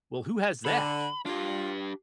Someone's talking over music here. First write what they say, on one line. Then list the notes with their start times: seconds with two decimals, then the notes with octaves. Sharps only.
Well, who has that?
0.65 D3 B5
1.26 D4 F4 G4